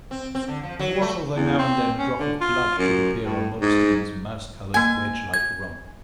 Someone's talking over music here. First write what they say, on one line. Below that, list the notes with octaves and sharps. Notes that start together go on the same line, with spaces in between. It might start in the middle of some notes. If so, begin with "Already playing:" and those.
And what although now and then a drop of blood should appear on Modestine's mouse-coloured wedge-like rump?
C4
C4
D3
F3
F#3
A3
E2
C4
C#4
D3
F4
F#2
A2
G#2
A#3 G#5 G#6
G#6